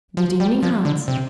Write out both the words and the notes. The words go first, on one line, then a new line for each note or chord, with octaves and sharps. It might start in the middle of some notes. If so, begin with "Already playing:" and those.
'Good evening, Hans.
F3
G3
F3
D3
C3